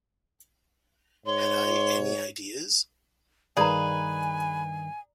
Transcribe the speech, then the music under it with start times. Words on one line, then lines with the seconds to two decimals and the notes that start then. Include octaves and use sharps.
Had I any ideas?
1.26 G#2 C#5 C6
3.57 G2 D#3 G#4 B4 D5 F5 G#5 A#5